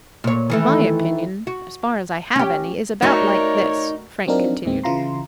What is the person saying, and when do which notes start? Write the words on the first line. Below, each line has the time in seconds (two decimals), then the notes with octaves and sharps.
"My opinion, as far as I have any, is about like this," Frank continued.
0.24 A#2 C#5
0.50 D#3 E3 A3
1.47 F#4
2.36 C#4 G4
3.02 A3 D#4 F#4 A#4 C#5 D5 E5
4.27 F#3 C4 D4 D#4 F4 A#4
4.65 E2 A#2 D#3 G#3 C4
4.84 C#3 E3 E4 F4 A#5 C6